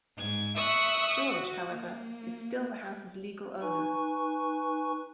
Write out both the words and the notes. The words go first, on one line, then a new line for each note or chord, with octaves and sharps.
George, however, is still the house's legal owner.
G#2 G#6
E5 C#6 D#6 E6 F#6
F#4
A#3
D#4 B4 G#5 C#6